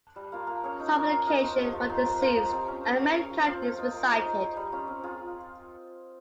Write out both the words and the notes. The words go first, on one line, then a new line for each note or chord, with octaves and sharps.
Supplication for the deceased and mankind is recited.
G3
A#3 F4
A#3
C#4 G#4 C#5
D#4
A#4 C#5
A#3
D#4 A#4 D#5
C4
G4 C#5
F3
C4 D#4
F3
A#3 F4 C5
F3
C4 G4
C#4
G4 C5
C#4
G#4 C#5
F3
C4 F4 C5
C4
F4 C5 D#5
A#3
D#4 G#4 C#5
D#4
G#4 C5
G3
C#4 F4
C4
F4 G#4